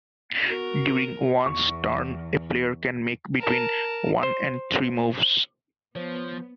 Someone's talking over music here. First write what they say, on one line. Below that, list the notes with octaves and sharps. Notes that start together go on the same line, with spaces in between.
During one's turn, a player can make between one and three moves.
B3 F#4 A#4
E2 C#6
A#4 A5
C5
F3 B3 C5 C#5